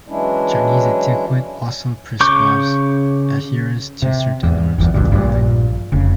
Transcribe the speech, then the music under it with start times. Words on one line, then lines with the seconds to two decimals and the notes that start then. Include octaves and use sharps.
Chinese etiquette also prescribes adherence to certain norms of clothing.
0.08 E3 F#3 G#3 C#4 D4 E4
2.20 C#3 C#6 D6 G6
4.02 C3
4.44 E2
4.78 G1 E2
4.94 G#1 C#2 G2
5.12 A#1 G2 A#2
5.92 F1 C#3